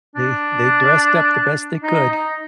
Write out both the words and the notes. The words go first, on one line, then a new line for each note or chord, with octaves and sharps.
They they dressed up the best they could.
D4
D#4
D#4